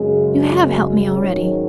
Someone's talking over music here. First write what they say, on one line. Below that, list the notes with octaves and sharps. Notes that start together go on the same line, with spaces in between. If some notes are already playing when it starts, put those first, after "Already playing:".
You HAVE helped me already.
Already playing: F#2 C#3 G#3 C#4 G#4
G#4
G#2 D#3 F#3 C#4 C#5